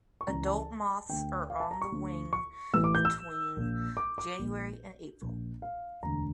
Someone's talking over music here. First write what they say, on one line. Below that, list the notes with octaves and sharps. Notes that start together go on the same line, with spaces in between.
Adult moths are on the wing between January and April.
C#6
C#2 C#3 E3 A#5
A5
D2 D3 G5
F5
A5
A#5
C#6
D2 D3
C#6
A1 A2 E3 E6
D6
G6
E6
A#1 A#2
D6
D6
A#1 A#2
A#1 A#2
F5
E1 D2 D3 A#5